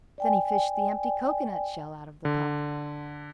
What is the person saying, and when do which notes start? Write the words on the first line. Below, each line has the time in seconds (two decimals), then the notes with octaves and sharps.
Then he fished the empty cocoanut shell out of the pot.
0.18 D5 G5 G#5
2.25 D3